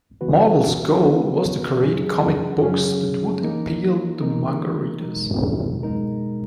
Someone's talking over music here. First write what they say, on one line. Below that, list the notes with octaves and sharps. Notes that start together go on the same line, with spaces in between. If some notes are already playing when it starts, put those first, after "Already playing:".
Marvel's goal was to create comic books that would appeal to manga readers.
C#3 E3 B3 F#4 B4
C#3 E3 B3 F#4 B4
F#2 C#3 F#3 C#4 G#4
F#2 C#3 F#3 C#4 G#4
E3 A#3 D#4 A#4
E3 A#3 D#4 A#4
B2 G#3 D#4 A#4
B2 G#3 D#4 A#4